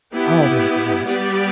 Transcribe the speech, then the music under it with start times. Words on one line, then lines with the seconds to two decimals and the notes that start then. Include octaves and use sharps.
Oh my gosh.
0.14 B3 E4 G4
1.06 G3 B3 G4 D5